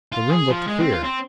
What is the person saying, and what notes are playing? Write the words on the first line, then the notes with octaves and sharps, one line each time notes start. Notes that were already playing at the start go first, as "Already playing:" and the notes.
The room looked queer.
F4
G#4
F3
G#3
C4
F4
C4